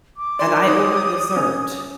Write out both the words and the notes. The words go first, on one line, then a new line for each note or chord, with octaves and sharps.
and I order dessert
D6
A#4 D5 C6
D#4 G4 C#5 D#6
C#4